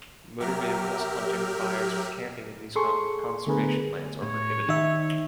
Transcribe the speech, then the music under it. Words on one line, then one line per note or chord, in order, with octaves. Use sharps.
Motor vehicles, hunting, fires, or camping in these conservation lands are prohibited.
F#3 G4 A#4 E5 F6
G#4 A4 C6 C#6
D3 A3 B3 G#4 A#4 B4
A2 C#5
D#3 D#4 E5